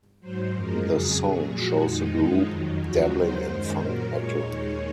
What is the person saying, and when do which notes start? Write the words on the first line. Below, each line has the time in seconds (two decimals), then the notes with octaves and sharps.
The song shows the group dabbling in funk metal.
0.20 G#2 F#3 C5
0.52 F#2 F3 G#3 A#4
0.84 F2 C#3 F#3 G#4
1.17 A#2 F#3
1.49 A#2 F3 G#3 F#4
1.82 F2 D#3 G#3 D#4
2.14 F#2 F3 G#3
2.46 F2 D#3 F#3
2.79 D#2 C#3 F3 G#3 F#4
3.11 D#2 D#3 F#3 C5
3.43 F#2 D#3 G#3
3.76 A#2 F#3 A#4
4.08 A#2 G#3 C#5
4.40 D#2 D#3 G#3